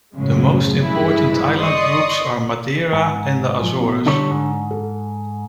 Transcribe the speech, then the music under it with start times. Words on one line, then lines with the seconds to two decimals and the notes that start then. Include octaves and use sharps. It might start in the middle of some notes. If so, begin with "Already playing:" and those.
The most important island groups are Madeira and the Azores.
0.15 F#2 A2 C#3 F3 F#3 G#3
0.83 G2 E3 G#3 E4
1.60 D5 D#5 C6 C#6 D#6
2.93 G#2
3.62 F3
3.80 B2
4.06 D3 G3 A4 C#5
4.31 G#2
4.71 A4